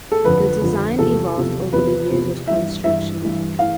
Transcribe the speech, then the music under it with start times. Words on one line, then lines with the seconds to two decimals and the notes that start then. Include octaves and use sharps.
The design evolved over the years of construction.
0.12 A4
0.24 F2 D3 F3 B4
0.61 F2 D3 F3
0.98 E2 C3 F3 A4
1.36 E2 C3 F3
1.72 E2 C3 F3 B4
2.10 E2 C3 F3
2.47 G2 E3 E5
2.84 G2 E3 E5
3.22 G2 E3
3.59 E3 F5